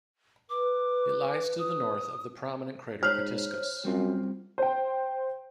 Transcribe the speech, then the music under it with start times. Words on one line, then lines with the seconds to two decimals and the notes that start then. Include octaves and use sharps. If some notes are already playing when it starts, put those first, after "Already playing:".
It lies to the north of the prominent crater Pitiscus.
0.50 B4 D6
1.59 D#6
3.03 G#2 C5 C#5 F6
3.85 F#2 G3 C4 F4
4.58 C5 G5